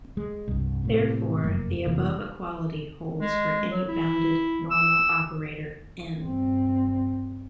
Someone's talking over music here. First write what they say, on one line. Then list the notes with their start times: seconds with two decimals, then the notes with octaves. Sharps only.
Therefore the above equality holds for any bounded normal operator "N".
0.17 G#3
0.48 C2 G2
0.85 A2 C3
1.44 F1 F#2 A#3
1.86 F1 C3 E3 A#3
3.20 G#3
3.71 F#3
3.88 E4
4.71 E6
6.19 G2 C4